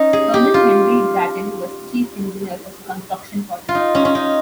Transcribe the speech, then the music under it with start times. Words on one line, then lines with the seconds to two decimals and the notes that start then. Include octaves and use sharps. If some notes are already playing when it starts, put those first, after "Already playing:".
Colonel Henry Grattan was Chief Engineer of the construction project.
Already playing: C#4 D#4
0.13 G#4
0.34 G4
0.54 F4
3.69 F4
3.75 D#4
3.95 C#4
4.05 C#4
4.15 D#4